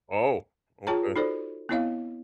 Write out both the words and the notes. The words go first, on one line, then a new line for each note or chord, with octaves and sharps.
Oh. Okay.
F4 G#4 C#5 G5 A5 A#5
D#4 F#4 A4 C5 D5
B3 C4 E4 C#5 D#5 F5